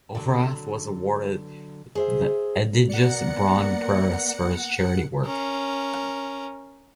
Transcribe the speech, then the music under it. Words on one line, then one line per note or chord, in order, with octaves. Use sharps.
Overath was awarded the Egidius-Braun-Preis for his charity work.
D3 F#3
G#4 C5 E5
A#3 B3 A#4 D5 F#5 C#7
C#4 A#4